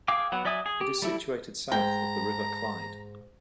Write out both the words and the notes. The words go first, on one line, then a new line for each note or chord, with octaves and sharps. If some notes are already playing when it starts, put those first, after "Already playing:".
It is situated south of the River Clyde.
G#4 F5 G5 D6
F#3 B3 F#5
F#3 D5 E5 G#5 D#6
G#4
G4
G3 A3 E4
G#2 G5 A#5